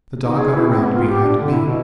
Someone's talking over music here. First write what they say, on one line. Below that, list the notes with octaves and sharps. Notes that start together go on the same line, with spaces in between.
The dog got around behind me.
D#4
G#4
E4
C4
B3
F4
G4
D4
D3
E4
B2